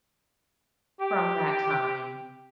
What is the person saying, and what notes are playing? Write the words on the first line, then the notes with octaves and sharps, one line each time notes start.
From that time,
G4